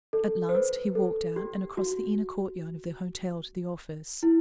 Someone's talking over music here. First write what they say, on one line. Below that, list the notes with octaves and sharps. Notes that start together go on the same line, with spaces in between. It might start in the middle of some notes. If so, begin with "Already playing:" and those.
At last he walked out and across the inner courtyard of the hotel to the office.
A4
C5
B4
A4
G4
F#4
E4